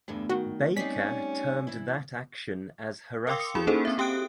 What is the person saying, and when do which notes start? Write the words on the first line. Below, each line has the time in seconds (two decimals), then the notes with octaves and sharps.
Baker termed that action as harassment.
0.08 E2 G2 D3 A3 B3
0.29 D#3 F#4
0.77 G3 C4 C#4 D#4 G4 D5 B6 C7
1.67 C3 E3 E4
3.27 A#4 F5 G5 C6 D6 E6
3.40 D#6 C#7
3.55 E4 F#4 G#4 B5
3.67 A#3 C#4 D#4 G#4 A4 C5
3.85 C4 E5
3.98 C4 G4 G5 D#6 F#6 D7